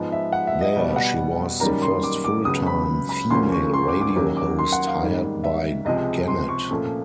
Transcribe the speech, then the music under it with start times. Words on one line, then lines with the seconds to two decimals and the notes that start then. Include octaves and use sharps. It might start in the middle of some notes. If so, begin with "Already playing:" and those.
There she was the first full-time female radio host hired by Gannett.
Already playing: G#2 F3 G#3 B3
0.12 E5
0.32 F#5
0.47 E5
0.61 D#5
0.76 B2 G3 B3
0.96 F#5
1.60 F#2 D#3 G3 A#3 C#4 A#5
1.82 C6
2.03 D6
2.24 D6
2.45 C#2 C#3 F#3 B3 D#6
2.67 B5
3.09 B5
3.30 D2 C#3 F3 A#3 C#4 C6
3.52 C#6
3.74 C6
3.88 D6
4.01 D6
4.16 D#2 D#3 F#3 A#3 C#4 D6
4.37 D6
4.59 C6
4.72 F#5
4.87 F5
5.01 G#2 D#3 G3
5.44 E5
5.85 C#2 C3 F3 G#3 D#5
6.28 C6
6.49 C#6
6.70 A#2 F3 A3 C#4